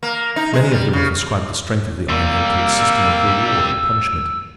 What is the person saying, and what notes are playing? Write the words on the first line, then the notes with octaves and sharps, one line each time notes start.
Many of them have ascribed the strength of the Iron Heel to its system of reward and punishment.
A#3
D#4
G#3
G3
C#3
C3 G3 A#3 E6